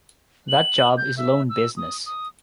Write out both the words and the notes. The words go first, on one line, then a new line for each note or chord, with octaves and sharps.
That job is loan business.
F#7
G6
E5
E6
D#6
D#6